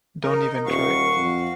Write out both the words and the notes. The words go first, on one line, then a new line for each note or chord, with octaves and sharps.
Don’t even try.
D#4 A#4 D#5
D#1 F#4 F5 C#6
F2